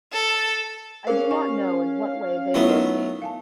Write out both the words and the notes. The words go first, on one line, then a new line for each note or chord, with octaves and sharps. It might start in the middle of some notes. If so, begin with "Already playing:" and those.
I do not know in what way they will escape.
A4
C#4 G#4 A#4 C5 F5
G4 G#5
F#3 A3 B3 E4 F4 E5
D#4 A#4 D#5
F5 G#5 A5